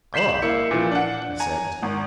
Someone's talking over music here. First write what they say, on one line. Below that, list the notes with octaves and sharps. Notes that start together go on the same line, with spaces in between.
"Oh!" I said.
G6 B6 C7 E7 F#7
A#3 E4 C#7
A#2 E3 F3
D4 F#5
G#5 A#5
G#1